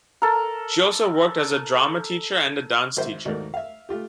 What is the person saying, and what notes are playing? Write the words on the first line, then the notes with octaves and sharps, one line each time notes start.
She also worked as a drama teacher and a dance teacher.
A4 A#4
G#1 C5 E5
D#2 G#2 A3 F#4 A#4 D5
E5 F5
A3 F4 G4